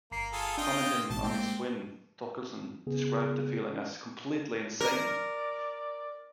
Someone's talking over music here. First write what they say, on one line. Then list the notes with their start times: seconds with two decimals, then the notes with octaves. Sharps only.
Commenting on his win, Thorkildsen described the feeling as "completely insane".
0.12 G1 A#3 A#5 C7
0.32 F4 G#4 A4
0.58 D4 F4 D#5 G5
1.10 A1 B2 A5
1.23 G#3 A#3 C4 G4
2.87 C#3 B3 G#4
4.81 A#4 D5